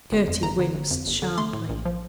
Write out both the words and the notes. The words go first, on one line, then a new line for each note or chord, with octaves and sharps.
Gerty winced sharply.
G1
F2
G1 A#5
D3
G1
F2
G1
D3
A3 C6
A2
A#1
F3